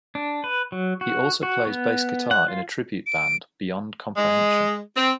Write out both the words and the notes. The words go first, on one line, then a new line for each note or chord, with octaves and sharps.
He also plays bass guitar in a tribute band, Beyond Comprehension.
D4
B4
F#3
F#4
F#4
B3
F#5
F4
D7
G#3
C4